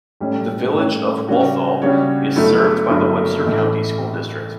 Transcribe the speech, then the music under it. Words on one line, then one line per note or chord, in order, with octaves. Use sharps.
The Village of Walthall is served by the Webster County School District.
A1 A2 G3 C#4
A1 A2 G3 C#4
C#3 G3 D4 F#4 C#5
C#3 G3 D4 F#4 C#5
G1 G2 F#3 A3 E4
G1 G2 F#3 A3 E4
A1 A2 E3 A3 E4